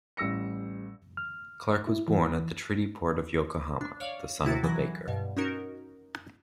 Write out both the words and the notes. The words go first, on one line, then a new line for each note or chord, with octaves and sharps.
Clarke was born at the treaty port of Yokohama, the son of a baker.
A1 G3 E6 A#6 C#7
F6
E4
E3
D4
C#5 D5 F5
C3 E4 F#4 A6
E3 F#3 F#6 G#6 A#6
G2 B2
C#4 D#4 F#4 A#4